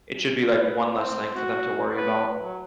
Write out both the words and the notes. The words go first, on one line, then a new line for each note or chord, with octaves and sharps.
it should be, like, one less thing for them to worry about.
B4
C4
F#4
B4
F#3